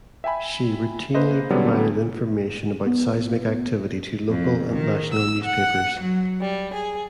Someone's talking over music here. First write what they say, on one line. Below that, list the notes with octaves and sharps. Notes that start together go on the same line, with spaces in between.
She routinely provided information about seismic activity to local and national newspapers.
E5 G5 G#5 B5
A#3 B4 C5 D#5 E5
E2 D3 F#3 G3 B3 C#4
B3
F2
D#3
E6
F#5
F#3
G3
G#4